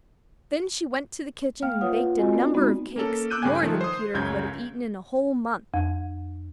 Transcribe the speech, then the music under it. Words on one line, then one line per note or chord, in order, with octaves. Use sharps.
Then she went to the kitchen and baked a number of cakes, more than Peter could have eaten in a whole month.
A#3 F5 G5 F6
F4 B4 C#5 F5 F#5 D#6
F4
C4 F4 F#4 D#5 G#5
A3 B3 C4 A#4 D5
G#3 B3 C4 D#4 F#4
A#3 C#4 A4
D6 E6 F#6 G6 D#7
G2 C#3 A3 G5 G#5 G#6
D#3 F3 A3
C5 D#6
C#2 F#2 C#3 G6 G#6
F2